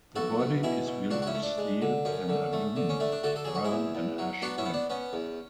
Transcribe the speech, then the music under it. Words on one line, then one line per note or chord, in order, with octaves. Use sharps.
The body is built of steel and aluminum around an ash frame.
B1 F#4 A4
B2
B2 E4 G#4
B2
C#2 D4 F#4
F#4
C#4 E4
A3
D4
G#3
D3
F#2 C#4
D3
A3
D3
C#4
A3 D4
D4
D3 F#4 A4
A4
F#3 G#4
F#4
E4 G#4
E2
E2
F#3
B3 D4 F#4
C#4 E4
B3
D4
B3 C#4
E2